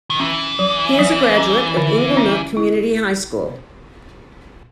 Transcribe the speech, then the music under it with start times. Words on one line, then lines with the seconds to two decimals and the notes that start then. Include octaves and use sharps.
He is a graduate of Inglenook Community High School.
0.10 D#3
0.20 E3 C#4
0.59 F#3
0.99 F#3
1.38 C#4
1.77 D3
2.17 C#4
2.57 E4